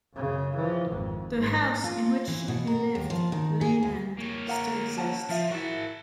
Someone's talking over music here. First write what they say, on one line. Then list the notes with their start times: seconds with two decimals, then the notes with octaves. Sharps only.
The house in which he lived, Lane End, still exists.
0.13 F#2 C#3
0.56 E3 F3
0.89 G#1 F2
1.36 G#2
1.84 F4
2.28 E3
2.48 B2
2.67 A#4
2.95 D#2
3.10 F3
3.32 D#3
3.61 G#4
3.83 D2
4.17 A#3 C#5
4.47 A#4 F#5 A#5
4.98 C#4 F#5 A5
5.29 F3 F4 E5
5.51 E4 F#4 A#4 A5